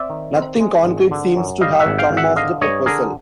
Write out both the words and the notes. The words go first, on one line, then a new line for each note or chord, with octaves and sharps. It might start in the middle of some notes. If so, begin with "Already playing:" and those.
Nothing concrete seems to have come of the proposal.
Already playing: C4 D5 E5
D#3
C4
G#3
G#1
D3
F#2
G3 D#5 F5
E5 F#5
G#1
F5 G5
G#1
E5 F#5
D3 D#5 F5
G2 C#5 D#5
D3 G#4 A#4